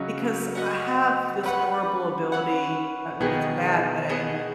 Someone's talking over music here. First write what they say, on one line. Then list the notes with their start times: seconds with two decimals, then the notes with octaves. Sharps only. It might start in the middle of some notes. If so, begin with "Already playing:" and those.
because I have this horrible ability uh, i it's a bad thing-
Already playing: C#3 F#3 C#4 F#4 D#5
0.55 C#4 F#4 D#5
1.43 C#4 B4 F#5
2.32 C#4 B4 F#5
3.20 B2 D#3 B3 G#4 D#5
4.09 B3 G#4 D#5